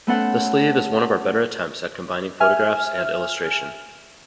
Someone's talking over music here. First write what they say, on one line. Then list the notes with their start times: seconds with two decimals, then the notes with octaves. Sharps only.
The sleeve is one of our better attempts at combining photographs and illustration.
0.07 A3 B3 C#4 A4 C5 F#5
2.40 E5 G#5 F6